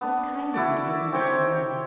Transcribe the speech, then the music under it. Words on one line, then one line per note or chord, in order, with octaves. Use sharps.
It is kind of you to give me this warning.
B3 D4
E4 F#4 D5
C4 G4 C#5 G5